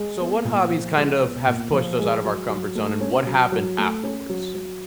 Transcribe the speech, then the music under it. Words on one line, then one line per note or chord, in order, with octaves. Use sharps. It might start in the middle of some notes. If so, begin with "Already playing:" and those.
So, what hobbies kind of have pushed us out of our comfort zone, and what happened afterwards?
Already playing: G#3
B3
A#2
F3
G#3
B3
A#2
F3
G#3
F#3
F#3
A3
C#4
F#3
F#3
A3
C#4
F#3
F#3